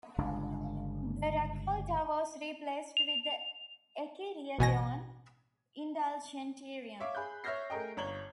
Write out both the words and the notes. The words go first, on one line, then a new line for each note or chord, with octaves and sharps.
The "Raccolta" was replaced with the "Enchiridion Indulgentiarum".
G1 C#3 G#3 D4
F7
A1 B2 G#5 A#6
C#5 E5 F5 D6
G#4 B5 F#6 G6
C#5 E5 F6 G6 A#6 C7
A3 G#4 A#4 D#5 G5
G1 C#5 A#5 G#6 F#7 G7